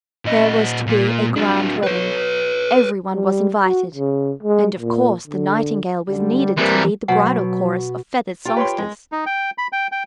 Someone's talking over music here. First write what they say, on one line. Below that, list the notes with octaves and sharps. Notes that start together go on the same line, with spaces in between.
There was to be a grand wedding; every one was invited, and of course the Nightingale was needed to lead the bridal chorus of feathered songsters.
A#2 D#5
A#2 A#3
F#3 D4
B4 C#5
G3
F#4
C#3
G#3
A#2
D3
F#2 D3 G3
E3 G3 C4 A#4
B2 F#3 F#5
F4 G4 G5
B4 C#5 C6
G#3
D#4
G5
B5
G5
G5